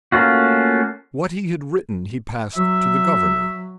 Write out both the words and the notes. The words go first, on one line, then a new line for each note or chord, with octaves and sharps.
What he had written he passed to the governor.
A3 A#3 C#4 F4 F#4
F#3 E5